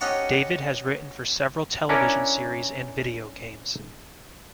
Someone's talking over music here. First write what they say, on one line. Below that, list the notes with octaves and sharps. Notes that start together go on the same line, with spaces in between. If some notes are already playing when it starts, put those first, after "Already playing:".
David has written for several television series and video games.
C#4 D#4 G4 F#5 A5 C#6
C#4 D4 E4 A#4 C#5 D5